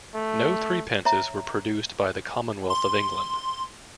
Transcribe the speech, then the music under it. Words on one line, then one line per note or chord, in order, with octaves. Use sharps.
No threepences were produced by the Commonwealth of England.
A3
C#5 E5 A#5
C6